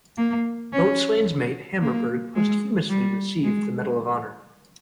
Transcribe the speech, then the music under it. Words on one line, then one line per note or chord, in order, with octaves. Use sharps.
Boatswain's Mate Hammerberg posthumously received the Medal of Honor.
A#3
C#4
A#3
G#3
G3
G#3